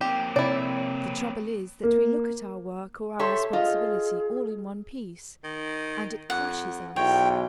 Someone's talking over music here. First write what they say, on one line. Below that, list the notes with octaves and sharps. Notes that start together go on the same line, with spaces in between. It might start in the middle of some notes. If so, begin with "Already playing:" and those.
The trouble is that we look at our work or our responsibility all in one piece, and it crushes us.
A#3 C4 G4
C3 E4 C#5 D5
A#3
G4 A4 C#5 E5 A5 C6
F4 G#4 D#5
D#3
F2 F#5
B1 E2 C#5 G5